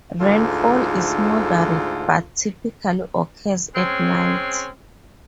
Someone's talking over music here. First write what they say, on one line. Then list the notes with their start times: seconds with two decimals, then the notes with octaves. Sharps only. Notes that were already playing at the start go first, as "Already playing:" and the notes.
Rainfall is moderate but typically occurs at night.
0.20 D2 G#2 F4 A4
3.75 G#3 C4 C#4